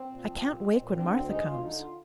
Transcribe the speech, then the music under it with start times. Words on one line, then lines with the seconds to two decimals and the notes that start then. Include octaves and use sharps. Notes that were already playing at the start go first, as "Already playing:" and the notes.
"I can't wake when Martha comes."
Already playing: C4
0.09 A#2
0.26 F3
0.43 A#2
0.60 G#3
0.77 A#2
0.94 D3 C4
1.12 D2 C4
1.29 G#3 D#4
1.46 D2 F4
1.63 D3 D#4
1.80 F4